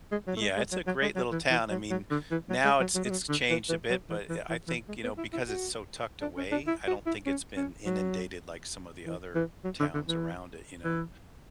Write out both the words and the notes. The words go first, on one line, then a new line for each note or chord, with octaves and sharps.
Yeah. It's a great little town. I mean, now it's it's changed a bit, but, yeah, I think, you know, because it's so tucked away, I don't think it's been inundated like some of the other towns around it, you know.
G#3
F#3
A3
G#3
G#3
F#3
F#3
G#3
F#3
E3
E3
F#3
F#3
D3
E3
F#3
G#3
F#3
F#3
G#3
F#3
D3
E3
E3
F#3
E3
E3
E3
E3
G#3
B3
E4
E4
F#4
D4
C#4
D4
E4
F#4
E4
C#4
C#4
F#3
E3
E3
F#3
D3
D3
E3
E3